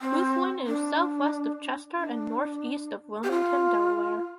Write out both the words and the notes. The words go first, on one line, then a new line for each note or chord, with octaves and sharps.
Boothwyn is southwest of Chester and northeast of Wilmington, Delaware.
C4
D4
D4
G4
F4